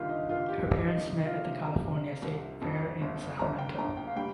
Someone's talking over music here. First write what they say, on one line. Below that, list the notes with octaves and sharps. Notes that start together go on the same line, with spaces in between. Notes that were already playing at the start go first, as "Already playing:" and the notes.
Her parents met at the California State Fair in Sacramento.
Already playing: G1 D#3 F4 G4
D#4
D#3 F4
G4
D#3 G4
D#4
C3 D#4
F4
C3
A#5
C3
C2
F2
G1
G1 A#5
G5
G1 A#5
G5
F5
G3 G5